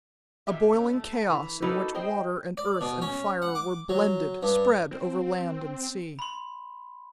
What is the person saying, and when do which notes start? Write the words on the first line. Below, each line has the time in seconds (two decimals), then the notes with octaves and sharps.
A boiling chaos in which water and earth and fire were blended, spread over land and sea.
0.47 A#2 G4 E5
0.73 A3 C#4
0.93 A3
1.29 E3
1.62 A#3 D#4 E4 F#4 A4 B4
1.94 G#4 C5 D#5 G5
2.57 D5
2.81 B2
3.02 C#4
3.42 F#5
3.55 D6
3.89 F#3
4.43 G2
4.91 C4
6.19 B5 C6